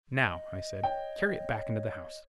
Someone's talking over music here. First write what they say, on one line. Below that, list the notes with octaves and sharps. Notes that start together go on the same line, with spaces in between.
"Now," I said, "carry it back into the house."
D#5
C#5 G5